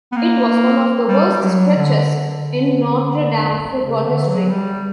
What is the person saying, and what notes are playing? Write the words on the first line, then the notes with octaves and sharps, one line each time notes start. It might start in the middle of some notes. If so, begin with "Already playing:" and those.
It was one of the worst stretches in Notre Dame football history.
B3
A#3
G3
G3
F#3
D3
D3
C#3
D3
F#3
G3